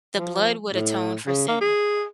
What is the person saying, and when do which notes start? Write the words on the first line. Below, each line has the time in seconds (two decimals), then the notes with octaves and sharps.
the blood would atone for sin,
0.17 F3
0.74 A2
1.26 C#3
1.48 A#3
1.61 G#4